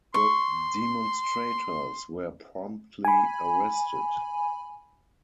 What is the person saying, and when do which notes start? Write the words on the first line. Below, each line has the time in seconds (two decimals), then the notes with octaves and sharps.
The demonstrators were promptly arrested.
0.14 C6 C#6
3.05 G#5 B5